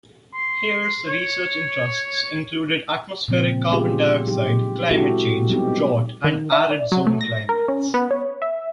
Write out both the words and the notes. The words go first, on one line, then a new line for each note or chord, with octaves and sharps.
Hare's research interests included atmospheric carbon dioxide, climate change, drought, and arid zone climates.
C6
C#5
A#2 C#3 F3 C4
G#3 B3 D4 F4 G4 G#4
F#3 D#4 G4
G#3 C4 E4 F#4 G4 A4
F#3 G3 B3 C4 D#4 G4
D#3
E5
D5
F#3
A3
A#6
A#4
C#4
B3
C#5
E5